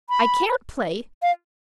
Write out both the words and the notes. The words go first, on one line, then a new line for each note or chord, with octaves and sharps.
I can't play.
B5
F5